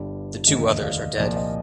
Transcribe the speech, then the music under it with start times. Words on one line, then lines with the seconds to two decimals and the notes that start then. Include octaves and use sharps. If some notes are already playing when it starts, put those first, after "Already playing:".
The two others are dead.
Already playing: G1 G2 D3 G3 D5
0.47 F1 D#2 D3 D#5
0.65 D#5
0.83 D5 F5
1.00 D#5
1.18 C2 A#2 F3 A#3 D5
1.37 D#5